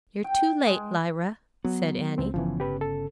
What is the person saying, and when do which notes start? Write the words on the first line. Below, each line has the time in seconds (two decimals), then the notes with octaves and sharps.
"You're too late, Lyra," said Annie.
0.24 G5
0.66 G#3
1.65 F#3 B3
2.18 C#2 C4
2.34 G1 C#3 E3 F3 B3
2.60 G4 B4
2.81 A4